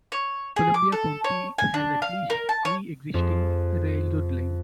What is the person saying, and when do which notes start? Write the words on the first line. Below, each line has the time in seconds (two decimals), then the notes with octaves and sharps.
Columbia County has at least three existing railroad lines.
0.12 C#5
0.56 G#4
0.74 D6
0.92 A4
1.24 C#5
1.58 G#5
1.74 D4
2.02 F5
2.30 A#4
2.49 A5
2.65 C#5
3.14 F2 G#3 F4 E7